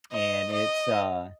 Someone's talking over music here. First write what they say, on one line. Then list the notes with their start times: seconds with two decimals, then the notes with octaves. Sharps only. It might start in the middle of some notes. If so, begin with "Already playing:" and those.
and, it's, uh,
0.13 D#5
0.54 D#5